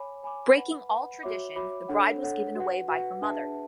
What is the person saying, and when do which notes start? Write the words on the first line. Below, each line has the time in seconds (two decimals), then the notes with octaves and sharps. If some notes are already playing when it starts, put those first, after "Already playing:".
Breaking all tradition, the bride was given away by her mother.
Already playing: C#5 G#5 B5 D6
0.23 C#5 G#5 B5 D6
0.57 B4 F#5 B5
0.89 B4 F#5 B5
1.23 F#4 C#5 E5 B5 D6
1.56 F#4 C#5 E5 B5 D6
1.89 D4 A4 C#5 F#5
2.22 D4 A4 C#5 F#5
2.55 F#4 B4 F#5
2.88 F#4 B4 F#5
3.21 D4 G#4 B4 E5 A5